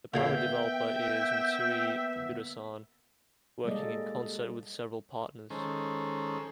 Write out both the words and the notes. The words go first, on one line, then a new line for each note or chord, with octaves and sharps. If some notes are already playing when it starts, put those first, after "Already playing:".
The primary developer is Mitsui Fudosan, working in concert with several partners.
A#2 A#3 B3 G#4 E5 F5 G5
G3 G#3 A#3 A4 D5 D#5
D#3 G#3 C#4 A4 C5